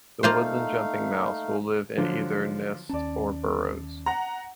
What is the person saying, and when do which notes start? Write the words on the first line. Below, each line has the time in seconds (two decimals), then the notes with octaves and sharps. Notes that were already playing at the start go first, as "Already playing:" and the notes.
The woodland jumping mouse will live in either nests or burrows.
0.23 A3 A#3 D#4 F4 C5 F5
1.97 D3 F3 F#3
2.89 D#2 C#4 D5 A5
4.06 F#5 A#5